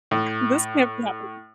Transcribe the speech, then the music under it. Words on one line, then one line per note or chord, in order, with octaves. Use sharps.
"This can't be happening."
A2